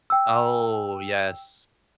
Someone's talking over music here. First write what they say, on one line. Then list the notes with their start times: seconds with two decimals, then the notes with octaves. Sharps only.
Oh, yes.
0.10 G5 E6